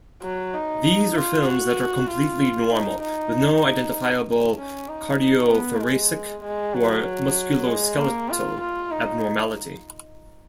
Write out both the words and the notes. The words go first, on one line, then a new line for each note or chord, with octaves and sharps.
These are films that are completely normal, with no identifiable cardiothoracic or musculoskeletal abnormality.
F#3
D#4
F4
F#4
F4
D#4
D#4
C#4
D#4
B3
G#3
G#3
F#3
G#3
A#3
F4
F4
D#4